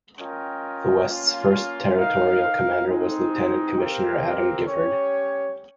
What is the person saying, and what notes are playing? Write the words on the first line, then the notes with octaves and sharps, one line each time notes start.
The West's first territorial commander was Lieutenant Commissioner Adam Gifford.
C#4 F4 A#4 D#5 G5
A#3 C#4 F4
D#4 A#4 F5
G#3 C4 D#4
C4 G4 A#4 F5
C#4 G4 C#5